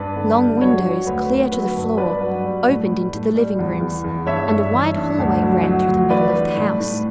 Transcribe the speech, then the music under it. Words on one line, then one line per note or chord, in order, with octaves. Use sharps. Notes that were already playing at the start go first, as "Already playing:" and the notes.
Long windows clear to the floor opened into the living rooms and a wide hallway ran through the middle of the house.
Already playing: G2 B4 D5
D3
G3
F#3 C#5
F#3
D2 B4
D2
F#3 B4
G2
G2 B4 D5
F#3
G3
A2
G3
A2
G3
E2
E2
E2
G2 C#5 E5
G2
E3
G2
D2
F#3
F#3
D2
E3 B4 D5
G3
A2
A2